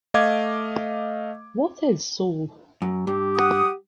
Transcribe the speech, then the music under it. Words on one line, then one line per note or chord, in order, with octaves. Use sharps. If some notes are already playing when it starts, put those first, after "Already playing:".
What Is Soul?
A3 D#5 F5 D6 G#6
F#2
G2 G4
F#5 D#6